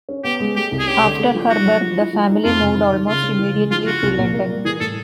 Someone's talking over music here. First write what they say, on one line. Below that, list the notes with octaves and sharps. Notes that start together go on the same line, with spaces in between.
After her birth the family moved almost immediately to London.
C#4
B3 G4
G#3
A3 G4
C2
G#4
C#4 G4
D3
A3
F3
D#4 F#4
F#3
F3
E4
F3
D#4
F2 F4
C3
D#3
D#3
C#3 F4
C#3
E3
G#3
F3 F4
F3 F#4
C2
A#2
A#3
G3
E3 G#4
A2 A4